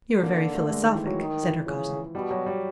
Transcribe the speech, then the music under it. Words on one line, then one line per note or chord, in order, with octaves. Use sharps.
"You're very philosophic," said her cousin.
D3 A#3
A3
G#3
D#3
E3
F#3
D#3
E3
C#3 F3
B2 G3
F#3
G3